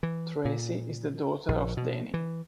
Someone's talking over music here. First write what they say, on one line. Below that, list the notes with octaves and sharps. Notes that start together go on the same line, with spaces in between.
Tracy is the daughter of Dany.
E3
A#2
A#1
B2
E3